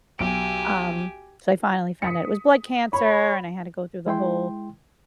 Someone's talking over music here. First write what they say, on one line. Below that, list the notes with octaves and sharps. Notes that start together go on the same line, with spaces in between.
um, so I finally found out it was blood cancer and I had to go through the whole
B1 G4 G#5 D7
D#6 B6 C#7
C#5 B5
G#3 E4 G5 C6